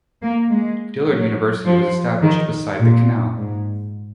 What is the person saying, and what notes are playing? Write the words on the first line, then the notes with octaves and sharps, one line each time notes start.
Dillard University was established beside the Canal.
A#3
G#3
F#3
F3
D#3
A#2
G#2